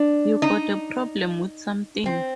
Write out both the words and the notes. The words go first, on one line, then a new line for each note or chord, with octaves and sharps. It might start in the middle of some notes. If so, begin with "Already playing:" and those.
You got a problem with something?
Already playing: D4
D#4
C4